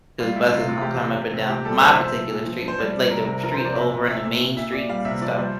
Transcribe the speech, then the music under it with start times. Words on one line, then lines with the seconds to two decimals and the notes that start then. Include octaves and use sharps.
'Cause buses don't come up and down my particular street, but like the r street over in the main streets and stuff.
0.20 G3 F4
0.36 A2 E4
0.52 C3 F4
0.68 C3 F4
0.81 E3 G4
0.94 F4
1.01 C3
1.17 C3
1.33 C3
1.49 A#2 G4
1.65 G3 A4
1.81 C3 C5
1.93 E5
1.98 F3
2.03 E5
2.14 F3
2.30 A#2
2.46 F3
2.62 F3
2.68 C5
2.78 G3 D5
2.95 G3
3.11 C3 A#4
3.27 C3
3.43 F3 A#4
3.54 C5
3.60 F3
3.65 D5
3.75 C3 E5
3.92 C3
4.08 A#2 E5
4.24 A#2 E5
4.41 A#2
4.57 A#2 E5
4.73 A#2 D5
4.89 G3 F5
5.05 C3 E5
5.21 F3 D5
5.38 G3 C5